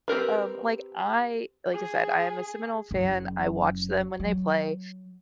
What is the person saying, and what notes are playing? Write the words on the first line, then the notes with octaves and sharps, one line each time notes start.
um, like, I like I said, I am a Seminole fan, I watch them when they play.
C4 G4 A#4 B4
G#4
F#1 F#2
F#3